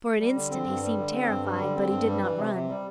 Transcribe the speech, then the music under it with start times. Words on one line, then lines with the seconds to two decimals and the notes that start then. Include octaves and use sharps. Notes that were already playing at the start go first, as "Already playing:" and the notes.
For an instant he seemed terrified but he did not run.
0.19 G3
0.36 D3
0.50 C4
0.66 G2
0.83 G3
0.98 D3
1.12 C4
1.28 G2
1.45 G3
1.60 D3
1.75 C4
1.90 G2
2.07 G3
2.22 E3
2.38 C3
2.54 C3
2.69 G3